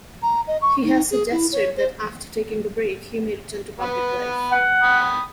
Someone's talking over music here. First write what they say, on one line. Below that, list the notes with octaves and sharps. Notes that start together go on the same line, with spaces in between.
He has suggested that after taking a break, he may return to public life.
A#5
D#5
C#6
D#4
G#4
E4
C#5
C5
B3 B4
F#5
G5 B5 D#6